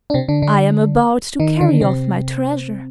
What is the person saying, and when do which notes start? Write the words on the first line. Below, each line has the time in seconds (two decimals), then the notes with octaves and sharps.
I am about to carry off my treasure.
0.10 D4
0.14 C3 C4
0.28 D3 D4
0.42 D3 D4
1.40 D#3 D#4
1.61 D3 D4
1.81 C3 C4